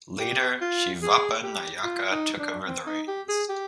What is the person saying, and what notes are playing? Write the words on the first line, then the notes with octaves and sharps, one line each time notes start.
Later Shivappa Nayaka took over the reins.
G4
F4
G#4
G4
F4
D#4
D4
C4
D#4
G4
G#4
G4